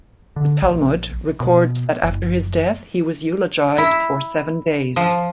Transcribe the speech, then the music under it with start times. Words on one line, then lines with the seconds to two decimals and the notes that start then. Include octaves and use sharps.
The Talmud records that after his death, he was eulogized for seven days.
0.36 D3
0.62 A#1
1.40 B2
2.03 F#1
3.78 E4
4.96 F3